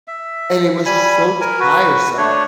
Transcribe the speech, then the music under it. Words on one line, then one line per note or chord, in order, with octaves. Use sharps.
And it was so tiresome,
E5
G3 G#5 B5
A#4 G#5
F#4 B4
A3 D4 C#5